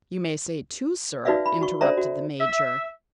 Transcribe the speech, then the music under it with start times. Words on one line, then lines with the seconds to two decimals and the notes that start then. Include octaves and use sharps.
"You may say two, sir," interrupted the Major.
1.25 D#4 F#4 B4 D5 E5 F5
1.46 B5
1.61 F#4 C#6
1.81 D4 A4 C5 D5 E5 A#5
1.97 F#4
2.40 E5